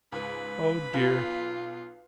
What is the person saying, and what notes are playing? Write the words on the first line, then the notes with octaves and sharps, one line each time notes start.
Oh, dear!
C#2 G#2 B4 B5
B1 F4